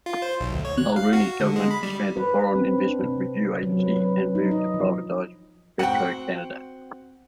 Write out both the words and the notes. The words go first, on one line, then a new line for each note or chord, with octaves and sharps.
Mulroney's government dismantled Foreign Investment Review Agency and moved to privatize Petro-Canada.
F4
C5
B1
D2
C#5
F#6
F5
F#4
D3
G#3
B5
G3
B4
C4
D4
C3
F#3
B4
B4
D#4
D#5
F3
C4 F#4 F#5 G5